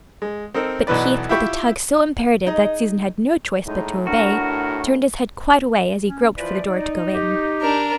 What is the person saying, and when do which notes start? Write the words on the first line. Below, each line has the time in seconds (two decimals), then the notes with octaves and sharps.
But Keith, with a tug so imperative that Susan had no choice but to obey, turned his head quite away as he groped for the door to go in.
0.22 G#3
0.54 C4 D#4 A4 A#4
0.87 B1 B2 E3 B4 D5
1.29 E4 F4 G4 G5 B5 C#6
2.46 D#4 G#4 D#5
3.67 A2 G#3 D#4
4.07 D4 F#4 A#4
6.07 C#4
6.37 E3 F3 B4 D5
6.67 D#4
7.14 G4
7.62 D4 A#4